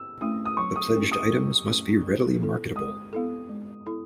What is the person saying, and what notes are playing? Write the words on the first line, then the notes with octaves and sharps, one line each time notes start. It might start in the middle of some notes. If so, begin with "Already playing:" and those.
The pledged items must be readily marketable.
Already playing: E6
A3 C#4 E4 D#6
D#6
F#3 C#6
D#6
A3 C#4 E4
D#6
F#3
A3 C#4 E4
G#3
B3 E4 A4
G#3 D#6
B3 E4 A4
G#3
B3 E4 A4